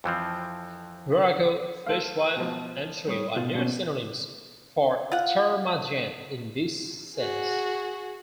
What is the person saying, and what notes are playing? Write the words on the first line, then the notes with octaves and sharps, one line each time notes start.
"Virago", "fishwife" and "shrew" are near synonyms for "termagant" in this sense.
F2 E3 F3 C4
A4 C5 F5
B2 F3
G3 C#5 D#6
B2 F4
B2 A#3 C#4
F4 F#5
F#4 G#4